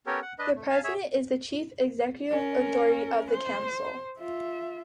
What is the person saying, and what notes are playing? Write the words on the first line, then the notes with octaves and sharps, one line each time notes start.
The president is the chief executive Authority of the Council.
B3 C#4 G4 A4 A#4 C#5
F#5
D4 B4 D#5
A3
F5 G#5 A5
G#4 C#5 E5
C#4 A#4
C5
F4 E5